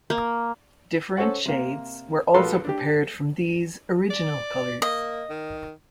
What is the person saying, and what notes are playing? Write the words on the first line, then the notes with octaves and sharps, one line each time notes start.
Different shades were also prepared from these original colors.
A#3
C#4 A4 C5 C#5 F#5
C3 A#3
A#1 F3 F#4 A4 B4 C6
D4 G4
D5
A#3 D#5
D#3